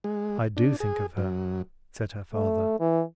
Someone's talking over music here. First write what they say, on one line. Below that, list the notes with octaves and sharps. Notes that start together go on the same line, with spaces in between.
"I do think of her," said her father.
G#3
D4
G#4
F#2
A3
E3